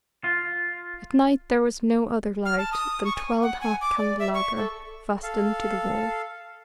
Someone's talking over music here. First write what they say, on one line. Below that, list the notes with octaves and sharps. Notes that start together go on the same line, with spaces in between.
At night there was no other light than twelve half candelabra, fastened to the wall.
F4
F6
A5
D#6
C#6
G#5
F#5
G#5
D6
D5
E5
C#6
A4
A4 F5